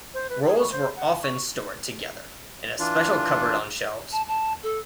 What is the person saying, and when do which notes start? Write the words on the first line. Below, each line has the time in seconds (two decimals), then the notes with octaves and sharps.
Rolls were often stored together in a special cupboard on shelves.
0.14 C5
0.30 B4
0.47 G#4
0.59 C#6
0.72 C5
0.96 F#5
1.22 C#6
2.79 E3 D4 F4
4.12 A5
4.28 A5
4.63 A4